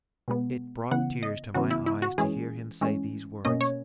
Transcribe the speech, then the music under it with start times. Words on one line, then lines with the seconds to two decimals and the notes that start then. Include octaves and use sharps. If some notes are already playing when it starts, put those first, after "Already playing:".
It brought tears to my eyes to hear him say these words.
0.28 B2 G#3 B3
0.91 C#3 E3 B3 F#5
1.23 D#5
1.54 C#3 E3 B3 F#4
1.71 E4
1.86 E4
2.02 F#4
2.18 E3 G#3 C#4 G#4
2.81 E3 G#3 C#4
3.45 B2 A#3 C#4 D#5
3.61 C#5